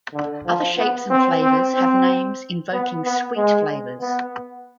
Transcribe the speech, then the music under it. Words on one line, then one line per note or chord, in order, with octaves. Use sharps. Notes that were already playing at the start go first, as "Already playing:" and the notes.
Other shapes and flavors have names invoking sweet flavors.
D3
F3
B3
C4
C4
C4
B3
B3
G#3
B3